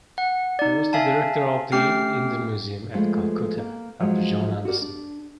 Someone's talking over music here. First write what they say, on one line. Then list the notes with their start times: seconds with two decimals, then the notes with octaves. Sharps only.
He was the director of the Indian Museum at Calcutta, after John Anderson.
0.18 F#5
0.59 D#4 D5
0.93 E5 F5 G#5 A5
1.72 A3 C#4 G4 G5 F6 C7
2.93 F3 G#3 A3 F4 A4 B4
3.58 A#3
4.00 F3 F#3 G#3
4.65 F#4 G4 A#4 D5
4.82 D4